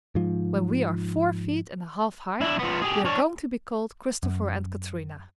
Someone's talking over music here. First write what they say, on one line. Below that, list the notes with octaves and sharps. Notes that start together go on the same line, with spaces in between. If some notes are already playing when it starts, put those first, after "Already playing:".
"When we are four feet and a half high, we are going to be called Christopher and Katrina."
G#2 F3
D4 E4
F3 B3
G4 G#4
D4 C#5
F#2